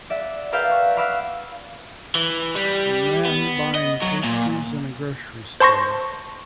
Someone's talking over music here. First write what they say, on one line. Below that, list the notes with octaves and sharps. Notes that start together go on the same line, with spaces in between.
A man buying pastries in a grocery store.
D5 E5 F#5
A#4 B4 D5 E5 F5 G5
F#5 C#6
F5 B5 D6 E6 F#6 B6
E3
G3
B3
D#5
F#3
A#2
C5 A5 C6 C#6 A#6